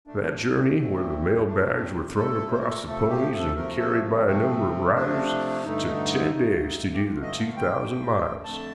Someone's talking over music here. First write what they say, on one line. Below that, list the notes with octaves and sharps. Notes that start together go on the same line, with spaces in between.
That journey, where the mail bags were thrown across the ponies and carried by a number of riders, took ten days to do the two thousand miles.
A#2 A3 D4
A#2 A3 C4
A#2 A3 D4
D4
C4
A#2 A3 A4
C5
A#4
A4
A#4
C3 F3 A3 A4
G4
A4
C3 F3 A3 A#4
A4
C3 F3 A3 C4
C3 F3 A3 D4
G2 D3 A3 D#4
G2 D3 A3
G4
G2 D3 A3 F4
D#5
F5
G5
G2 D3 A3
F2 D3 A3 A5